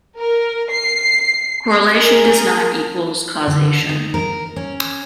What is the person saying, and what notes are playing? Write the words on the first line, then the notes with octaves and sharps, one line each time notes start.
Correlation does not equals causation.
A#4
C7
G#4 A#4
D3
D#4
A#4
C#4